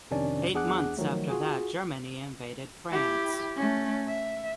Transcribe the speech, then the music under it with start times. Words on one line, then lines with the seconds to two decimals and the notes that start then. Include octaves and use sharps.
Eight months after that Germany invaded France.
0.11 F2 C3 D#3 C#4 D4 D5
0.54 E2 D4 G#4 F#5 D6 F#6
0.97 D#3 F3 F#3 A3
1.30 F4 F#4 G#4
2.91 E4 G4
3.56 A3 C#4
4.08 E5